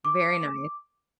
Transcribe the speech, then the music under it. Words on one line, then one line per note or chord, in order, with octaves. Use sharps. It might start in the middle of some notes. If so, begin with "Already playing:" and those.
very nice.
D6